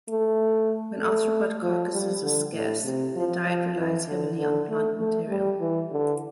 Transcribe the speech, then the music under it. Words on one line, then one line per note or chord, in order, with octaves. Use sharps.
When arthropod carcasses are scarce, their diet relies heavily on plant material.
A3
A3
F3
G3
D3
A2
C3
F3
F3
E3
D3
D3
A3
A3
G3
E3
D3